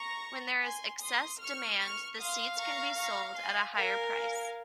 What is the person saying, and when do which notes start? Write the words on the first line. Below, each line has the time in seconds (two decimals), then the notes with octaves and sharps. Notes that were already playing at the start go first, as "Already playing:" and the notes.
When there is excess demand, the seats can be sold at a higher price.
Already playing: A#5 C#6
0.63 G#5 C6
1.02 C6 D#6
1.41 C#6 F6
1.81 C#6 F6
2.20 F5 C6 D#6
2.58 A#5 C#6
2.97 A#5 C#6
3.36 G#5 C6
3.75 A#4 F5 G#5
4.15 F5 G#5